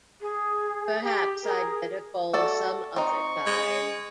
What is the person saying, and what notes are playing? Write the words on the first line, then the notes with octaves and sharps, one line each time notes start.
Perhaps I'd better call some other time.
G#4
G4
G#4 A#4
F#4 A4 D5
C4 D#4 C#6
G#3